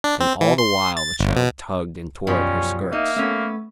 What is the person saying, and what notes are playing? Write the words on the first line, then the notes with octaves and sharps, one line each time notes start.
And all the while the child tugged and tore at her skirts.
D4
C4
E3
C6
A6
G1
B2
F#2 B2 F3 G3 C#4
A#3 D#4 E5
A3 B3 C#4 E5